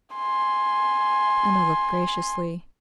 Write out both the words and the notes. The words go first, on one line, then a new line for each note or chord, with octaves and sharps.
Emma looked graciously.
G#5 C6